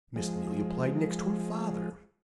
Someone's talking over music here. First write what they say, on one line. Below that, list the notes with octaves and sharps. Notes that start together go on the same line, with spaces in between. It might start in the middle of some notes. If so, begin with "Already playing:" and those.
Miss Neelie applied next to her father.
F3 G#3